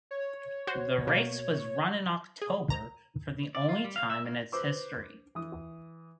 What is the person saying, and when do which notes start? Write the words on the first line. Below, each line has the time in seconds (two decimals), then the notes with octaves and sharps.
The race was run in October for the only time in its history.
0.11 C#5
0.67 F#4 C5
1.07 B2 A#3
2.42 G#4
2.70 A#5
3.55 D5
3.69 F4
3.84 G3
3.96 F5
4.10 E5
4.25 A#3
4.52 B4 C5 D6 E6
5.35 E3 D#6